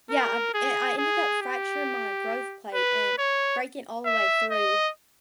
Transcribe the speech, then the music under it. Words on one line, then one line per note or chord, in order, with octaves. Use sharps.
Yeah, I br and I ended up fracturing my growth plate and breaking all the way through
A#4
G#4
G#4
G4
B4
C#5
E5
D#5